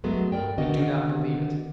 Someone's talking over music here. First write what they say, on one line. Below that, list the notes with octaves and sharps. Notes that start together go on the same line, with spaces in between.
We do not believe it.
F#2 F#3 G#3 A3 B3
G2 E3 A#4 D5 G5
D3 D#3 B3 F#4 D#5